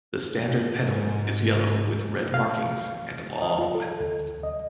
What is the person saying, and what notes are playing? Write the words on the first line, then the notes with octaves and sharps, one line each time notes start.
The standard petal is yellow with red markings and long.
G#2
F5
D#5
F4
A4
D2
D#5